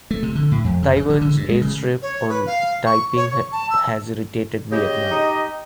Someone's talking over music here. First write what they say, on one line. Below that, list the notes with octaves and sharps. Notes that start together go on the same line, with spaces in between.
Taiwan's airstrip on Taiping has irritated Vietnam.
A3
C3
D3
A2
F2
C#3
C#3
D#3
D3
G2
G#3
C#3
C#5
B4
F5
C#6
C#5
C#6
A5
E6
C#3 G4 D#5
D#4